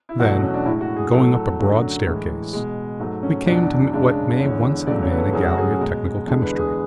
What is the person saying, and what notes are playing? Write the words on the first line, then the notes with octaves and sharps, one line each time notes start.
'Then, going up a broad staircase, we came to what may once have been a gallery of technical chemistry.
E4
E2 B2 F#3 A3 F#4
C#4
D4
A2 G#3 E4
F#4
G#4
A2 F#3 A3 A4
F#2 D3 F#3 A3
A2 E3 G#3
B2 G#3
G#2 F#3 A3
C#4
E2 B2 F#3 D4
F#2 C#3 G#3 D4
E2 D3 G#3 C#5
E2 C#3 F#3 A3 D5
C#5
B4
A4
F#2 C#3 F#3 A3 G#4
F#4
G#4
B2 G#3
E2 D3 G#3 A4
B4
G#4